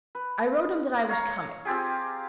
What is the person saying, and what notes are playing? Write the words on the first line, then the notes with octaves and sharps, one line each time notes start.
I wrote him that I was coming.
B4
C#5 F5 A#5
C4 F4 G4 G#4